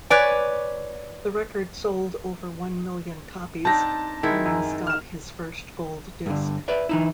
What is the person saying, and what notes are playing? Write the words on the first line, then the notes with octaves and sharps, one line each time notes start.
The record sold over one million copies, earning Scott his first gold disc.
B4 C#5 D5 G#5
C4 D4 D#4 A5 A#6
D#3 G#3 E4
F#2
F6 E7
G2 D3
B4 D5 E5
E3 D#4 E4